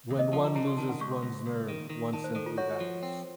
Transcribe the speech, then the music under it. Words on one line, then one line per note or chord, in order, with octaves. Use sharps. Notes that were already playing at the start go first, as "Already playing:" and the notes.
When one loses one's nerve, one simply babbles.
D#2
D#5
F3 A5
A#5
C#3 A#5
C6
D#3 A5
F#5
C#2 C#6
C6
C#2
C#2
D#3
D#3
D#3 A5
C5
D#3 A4
F4
F#4 C#5
F3
C4